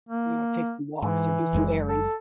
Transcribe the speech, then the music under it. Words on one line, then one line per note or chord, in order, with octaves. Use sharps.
you know, take some walks or do some errands.
A#3
G#2 E3
F#1 F#2 G#3
A4